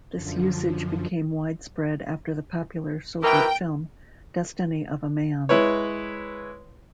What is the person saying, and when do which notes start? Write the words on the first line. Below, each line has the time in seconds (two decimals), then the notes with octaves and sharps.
This usage became widespread after the popular Soviet film "Destiny of a Man".
0.12 F#2 D3 F3
3.23 B2 D#3 E3 A#4 G5
5.49 G#3 E4 B4 C#5